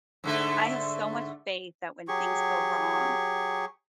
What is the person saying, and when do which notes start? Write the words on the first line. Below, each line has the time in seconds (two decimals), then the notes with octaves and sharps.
I have so much faith that when things go wrong,
0.24 G#2 D3 A3
2.08 F#3 G4 G#4 C#6